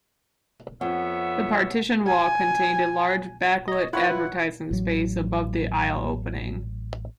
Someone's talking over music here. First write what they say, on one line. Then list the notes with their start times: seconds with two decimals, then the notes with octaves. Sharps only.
The partition wall contained a large backlit advertising space above the aisle opening.
0.81 F2 B3 C#5 E5 F#5
2.06 G#5
3.68 C#5 D#5
3.93 E4 F4 B4 C#5 F#5
4.71 A1 F#3